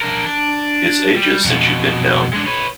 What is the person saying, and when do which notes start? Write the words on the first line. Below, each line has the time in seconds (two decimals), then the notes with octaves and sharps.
It’s ages since you’ve been down.
0.01 D4 A#4
0.25 D4
1.16 G3
1.45 F2 B2
2.33 G#3 D4
2.46 B4 C#5